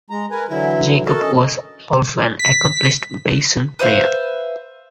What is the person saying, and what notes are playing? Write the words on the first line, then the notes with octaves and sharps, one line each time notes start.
Jacob was also an accomplished bassoon player.
G#3 A#5
A#4 B4 G#5
D3 E3 F#3 E4
F#4 A4 A#4
C#4 D#5
B6
B4 C5 E5 F5